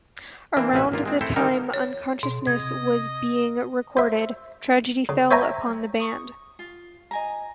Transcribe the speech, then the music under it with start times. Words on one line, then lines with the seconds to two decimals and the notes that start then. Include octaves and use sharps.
Around the time Unconsciousness was being recorded tragedy fell upon the band.
0.57 E3 A#3 C4 D4
0.73 A1 B2 C#4 B4 E5
0.92 G#1 A#3 F4
1.06 G#3 C4
1.21 A3 C4 E4 A4 C5
1.36 D3 D#3 G3 A#3 D#4 A#4
1.74 C#5
2.23 B2
2.47 C3 D#5 G#6
3.97 C5 E5
5.09 C#3
5.31 C5 C#5 E5 G5 G#5 A#5
6.00 C#6 D#6
6.59 F4
7.11 D#5 G#5 A#5